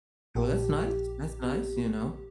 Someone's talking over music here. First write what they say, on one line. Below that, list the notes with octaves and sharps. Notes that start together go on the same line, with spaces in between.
Well, that's nice that's nice, you know,
A#1 G4